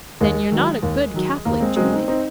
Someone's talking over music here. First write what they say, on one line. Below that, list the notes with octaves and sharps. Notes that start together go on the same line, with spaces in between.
"Then you're not a good Catholic, Julie?"
D#2 G#3
D#3 F#3
D#2
D#3 F#3
D#2 A#3
G#3 C4
C#3 F#3 G#3 C4
C4 D#4
C4 D#4